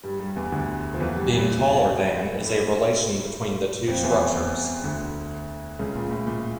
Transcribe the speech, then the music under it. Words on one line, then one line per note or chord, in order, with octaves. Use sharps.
Being-taller-than is a relation between the two structures.
G2 G3
G2 G3
E2 E3
D2 D3
F3
E2 E3
G2 G3
G2 G3
A2 A3
F2 F3
E2 E3
E2 E3
D2 D3
C#2 C#3
A#2
A2
A#2